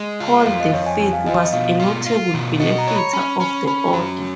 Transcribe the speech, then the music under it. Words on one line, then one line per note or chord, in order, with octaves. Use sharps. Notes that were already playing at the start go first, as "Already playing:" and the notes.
Paul the Fifth was a notable benefactor of the order.
Already playing: G#3
F4
F2 F5
D#5
F2 C#5
G#5
F2 G#5
F5
F3 D#5
D#5
B2 F5
F4
F4
B2
F#4 D#5
A#5
C#5
B5
C#4 B5
C#4 B5
C#4 B5
F#3